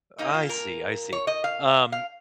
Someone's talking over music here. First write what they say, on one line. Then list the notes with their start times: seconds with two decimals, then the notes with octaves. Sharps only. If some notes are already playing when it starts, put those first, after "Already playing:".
I see, I see. Um,
0.18 A#2 A#3 D#4
0.34 F4
0.49 A#4
1.13 C#5
1.27 D#5
1.44 F5
1.92 F5